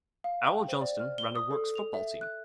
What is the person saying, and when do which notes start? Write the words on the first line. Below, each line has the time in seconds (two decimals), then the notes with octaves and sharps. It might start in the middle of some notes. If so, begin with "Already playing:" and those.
Arrol-Johnston ran a works football team.
0.24 F5
0.44 G5
0.68 C5
0.81 D5
0.99 F6
1.18 G7
1.35 D#6
1.51 A4
1.64 A4
1.75 F7
1.94 E5
2.21 F#6